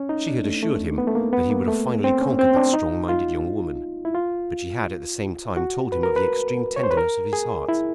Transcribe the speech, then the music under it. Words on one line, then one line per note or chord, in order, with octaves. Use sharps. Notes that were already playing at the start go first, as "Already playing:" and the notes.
She had assured him that he would have finally conquered that strong-minded young woman. But she had at the same time told him of the extreme tenderness of his heart.
Already playing: C#4
D#4
D4
A3
A3
B3
A3
A#3
B3
A#3
A3
C4
C#4
C4
D4
D#4
F4
E4
F4
F#4
B4
A#4
B4
C#5
C5
B4
A#4
G#4
E4